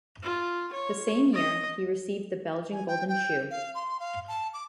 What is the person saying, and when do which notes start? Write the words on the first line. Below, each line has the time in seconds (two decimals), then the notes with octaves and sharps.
The same year, he received the Belgian Golden Shoe.
0.23 F4
0.72 C#5
1.33 D#5
2.72 G#5
2.87 G5
3.09 G5
3.50 F5
3.75 C6
3.99 F5
4.28 A5
4.54 D6